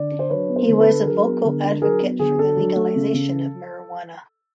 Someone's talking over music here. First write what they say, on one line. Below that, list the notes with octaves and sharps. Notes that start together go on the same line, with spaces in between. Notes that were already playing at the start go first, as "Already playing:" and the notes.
He was a vocal advocate for the legalization of marijuana.
Already playing: D3 D5
D4
C5
F#3 B4 C#5
B3
A#4 C5
D3
A4 B4
D4
F#3 G#4 A#4
B3
D3
D4
F#3 G#4 A#4
B3
D3 G#4
D4 A4
F#3
A3
C#3
C#3